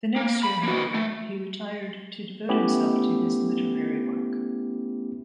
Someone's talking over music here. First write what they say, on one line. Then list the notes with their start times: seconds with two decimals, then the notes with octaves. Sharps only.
The next year, however, he retired to devote himself to his literary work.
0.16 A#3
0.43 B5
0.63 A#3 F#4
0.94 A3
2.49 A3 B3 C#4 E4 G4